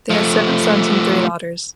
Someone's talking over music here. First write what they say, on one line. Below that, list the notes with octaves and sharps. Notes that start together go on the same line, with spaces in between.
They had seven sons and three daughters.
F3 A3